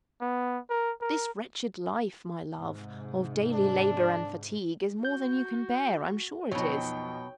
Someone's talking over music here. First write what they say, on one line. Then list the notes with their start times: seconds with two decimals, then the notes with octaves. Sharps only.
This wretched life, my love, of daily labour and fatigue, is more than you can bear, I am sure it is.
0.21 B3
0.70 A#4
1.01 A#4
2.55 G#2 C3
3.53 D4
5.05 F#4 G6
6.51 B1 F2 B2 F#3 D#4 C#5 G5